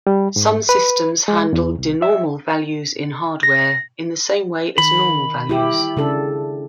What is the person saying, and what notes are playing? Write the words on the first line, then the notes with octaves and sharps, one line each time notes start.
Some systems handle denormal values in hardware, in the same way as normal values.
G3
G#2
B4
G#3
E2
C2
E5
A#6
D#3 B5
E4 G4
C#3 D4 A4